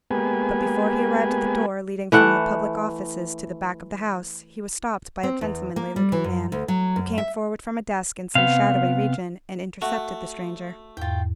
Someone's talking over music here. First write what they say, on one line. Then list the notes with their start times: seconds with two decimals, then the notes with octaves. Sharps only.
But before he arrived at the door leading from the public offices to the back of the house, he was stopped by a gentlemanly-looking man, who came forward from a desk in some shadowy region, and intercepted the stranger.
0.11 G#3 A#3 B3 G4 B4 G#5
2.12 E3 A3 F#5
5.23 C4
5.41 E2
5.76 A#3
5.96 G3
6.12 E3
6.24 F#2
6.52 D2
6.68 F#3
6.96 F#2
7.18 E5
8.35 C3 B3 F5
9.82 A3 F#4
10.97 E2 G#2 F4 G5